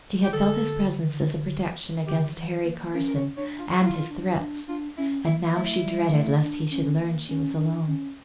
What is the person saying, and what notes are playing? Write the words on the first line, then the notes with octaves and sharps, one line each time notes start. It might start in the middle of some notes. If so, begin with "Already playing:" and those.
She had felt his presence as a protection against Harry Carson and his threats; and now she dreaded lest he should learn she was alone.
G4
D3 A4
D3 G4
F3
E3
A#3
C#4 A#4
A#4
C#5
D4 C#5
F4
E4 F4
D4
D4
D4 F4
C#4 E4
A#3 E4
A3 E4
G3
A3
D4
C#4
A#3
C#4
D4
C#4